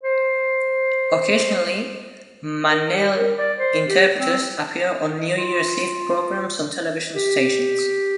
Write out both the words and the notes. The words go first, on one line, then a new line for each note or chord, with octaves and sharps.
Occasionally, manele interpreters appear on New Year's Eve programs on television stations.
C5
A#4
G4
A#4
D5
C5
G4
C4
F4
G4